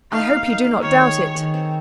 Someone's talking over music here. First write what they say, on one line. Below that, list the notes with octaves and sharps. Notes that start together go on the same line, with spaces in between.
"I hope you do not doubt it."
D#4 F5
A#3
D#4
A#3
D#3 C#5
G#4
G#4
D#3
C4